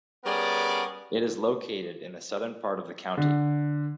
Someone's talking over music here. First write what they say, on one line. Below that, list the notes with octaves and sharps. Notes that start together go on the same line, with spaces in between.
It is located in the southern part of the county.
G3 B3 C#4 G#4 A#4 D5
D3